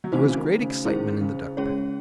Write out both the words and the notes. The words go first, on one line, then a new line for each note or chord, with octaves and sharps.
There was great excitement in the duck pen.
F#3
E3 A3 C4 D#4 F#4 C5
C#3
D#3
C#3
D#3 G#3 C#4 E4 G#4 C5
C#3
G#3 C#4 G#4 C#5